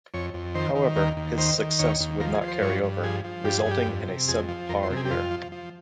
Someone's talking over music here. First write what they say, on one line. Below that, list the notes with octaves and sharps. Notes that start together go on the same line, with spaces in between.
However, his success would not carry over, resulting in a sub par year.
F2 C#5
F2
D#3 C5
D#3
D#2 A#4
D#2
D#3 C5
D#3
D#2 C#5
D#2
F3 A#4
G#4
F3
C5
G2 C#5
G2
F3 G#4
F3
G2 G4
G#4
G2
G4
F2
C3
F2 G#4
F3
F2 A#4
C5
C3
G#4
G4
F2 F4
F3
F3